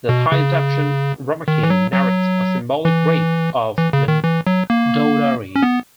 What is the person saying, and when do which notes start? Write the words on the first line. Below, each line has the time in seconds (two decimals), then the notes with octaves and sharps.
The Thai adaptation "Ramakien" narrates a symbolic rape of Mandodari.
0.09 B2
0.32 C#3
1.48 D#3
1.63 E3
1.70 F#3
1.93 F#3
2.85 E3
3.78 E3
3.93 C#3
4.08 D#3
4.24 E3
4.47 F#3
4.70 A#3
5.56 C#4
5.63 B3